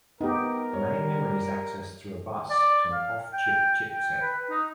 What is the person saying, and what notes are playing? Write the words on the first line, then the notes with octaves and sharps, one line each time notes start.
Main memory is accessed through a bus to an off-chip chipset.
B3 D#4 G4 A#4
G3 C#5
D5
F5
G5
G5
B4
D#4